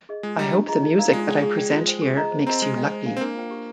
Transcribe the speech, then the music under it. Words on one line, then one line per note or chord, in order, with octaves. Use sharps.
I hope the music that I present here makes you lucky.
G#4 D#5
G#3 F4
G3 A#4 D#5 G5 A#5
D4
F4 G#4 D#5 A#5
D#4
A#4 D5 F5 A#5
G#3 F4
G#4 D5 G5
G#4
D5 G5
F4
C5 G5
G#4
D#5 A#5
C5
C4 D#5 A#5
G#3 C5
D#5 G5
C5
F5 G#5
C4
A#3 D4
F4 C5 G5
G4